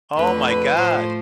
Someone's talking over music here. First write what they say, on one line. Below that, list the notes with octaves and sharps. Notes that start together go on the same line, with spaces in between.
oh my god.
F2 D3 A3 B4
B4
A2 F3 A3 C5